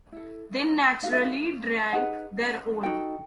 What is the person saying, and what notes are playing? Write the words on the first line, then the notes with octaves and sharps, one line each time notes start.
They naturally drank their own.
E4 A4
D#4 F#4 A4 F5
E5
F5
D#4 G#4 B4 F#5
D#4 F#4 A4 G5